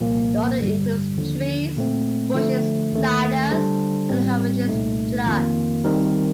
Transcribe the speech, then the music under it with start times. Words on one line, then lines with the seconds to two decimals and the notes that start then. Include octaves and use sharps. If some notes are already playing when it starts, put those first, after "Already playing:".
The order includes trees, bushes, lianas, and herbaceous plants.
0.01 C2 A#2 F3 A#3
0.59 A1 G2 D3 G3
1.17 D#2 D3 F3
1.77 A#2 A3 C4
2.35 D3 F3 A3
2.92 D#2 D#3 A3
3.51 D3 G3 D4 A4 C5
4.09 A1 A2 G3 C4
4.68 C2 A#2 A3 D#4
5.26 F2 D#3 A#3 F4
5.84 D#3 G3 C4 D#4 A#4